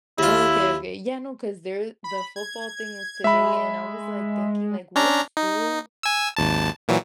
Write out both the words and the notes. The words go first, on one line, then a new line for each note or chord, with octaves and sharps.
Okay, okay, yeah, no, 'cause there the football thing is today, and I was, like, thinking, like, "What school
D#2 E4 F4
B5
G#6
G#3 E5 B5
C#4 D4 A#5
D#4
G#5 E6
G#1 D#2 A5
A#2 E3 F#3